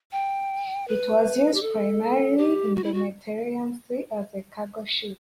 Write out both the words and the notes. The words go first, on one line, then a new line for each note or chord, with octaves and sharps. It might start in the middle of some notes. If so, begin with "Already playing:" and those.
It was used primarily in the Mediterranean Sea as a cargo ship.
G5
B4
G4
A4
G4
F#4
E4
F#4